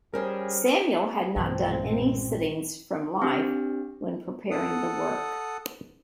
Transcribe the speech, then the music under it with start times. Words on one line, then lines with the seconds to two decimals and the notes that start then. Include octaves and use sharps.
Samuel had not done any sittings from life when preparing the work.
0.14 G3 C#4 G#4 A#4 C5 C#5
1.36 B1 G2 A#2 E3 G#3 C4
3.22 C4 D4 G4
4.51 A4 F#5 D#6